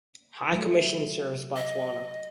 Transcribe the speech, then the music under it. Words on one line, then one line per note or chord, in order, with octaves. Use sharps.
High Commission serves Botswana.
F#3 A3
D#5